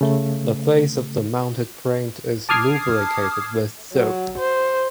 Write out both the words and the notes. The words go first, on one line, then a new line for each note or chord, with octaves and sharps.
The face of the mounted print is lubricated with soap.
C#3 A3
A5 D6 D#6 F6 G#6 C7
F#3
C5